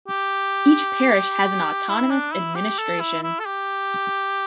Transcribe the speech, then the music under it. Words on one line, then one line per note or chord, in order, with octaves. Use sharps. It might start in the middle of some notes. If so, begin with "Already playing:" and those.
Each parish has an autonomous administration.
G4
E4
D4
E4
G4
A4
E4
E4
A4
G4